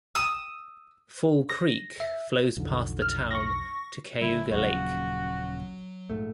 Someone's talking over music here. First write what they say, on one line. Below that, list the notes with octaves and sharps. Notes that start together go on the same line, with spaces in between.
Fall Creek flows past the town to Cayuga Lake.
D#6 E6
A#6
E5
B1 F2 D3
F6
C#6 A#6
F#1 D3 G3 E4
D#1 A#1 C#3 F#3 F#4
A#1 G#2 A3